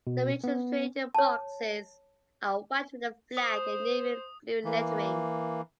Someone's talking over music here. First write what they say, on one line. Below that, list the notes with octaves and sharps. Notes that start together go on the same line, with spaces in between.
The refrigerated boxes are white with the flag and navy blue lettering.
B2
B3
C#5 A5
C5 D#6
E3 A#3